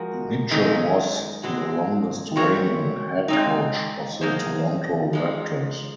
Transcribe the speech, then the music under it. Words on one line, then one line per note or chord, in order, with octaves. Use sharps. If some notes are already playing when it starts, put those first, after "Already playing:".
Mitchell was the longest reigning head coach of the Toronto Raptors.
Already playing: F3 G#3 F#4 A#4
F#2 D#3 G#3 C4 D#4
A#2 G#3 C4 F#4
G#3 C4 F#4 A#4 C#5
G#3 C4 D#4
F#3 A#3 D#4 G#4 C5
F3 G#3 D#4